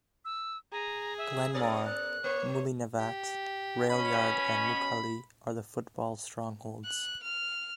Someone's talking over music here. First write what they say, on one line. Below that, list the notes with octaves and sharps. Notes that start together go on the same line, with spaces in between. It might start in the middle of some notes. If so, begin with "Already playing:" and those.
Glenmore, Mullinavat, Railyard and Muckalee are the football strongholds.
E6
G#4 A#5
E5
B3 A#4 D5 D#6
F#6
A#3 C#5
G4
B2 C#4 B5
F#6
F6